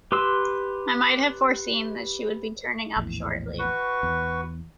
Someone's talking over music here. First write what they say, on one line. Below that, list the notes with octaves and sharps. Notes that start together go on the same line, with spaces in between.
I might have foreseen that she would be turning up shortly.
G4 B4 C6 E6
A#1 E2 A2
F#4 B4 C#6
E2